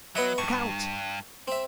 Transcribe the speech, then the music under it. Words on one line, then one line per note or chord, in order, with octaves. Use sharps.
"Look out!"
F#3 B3 D#5 E5
G2 C#6
C4 E5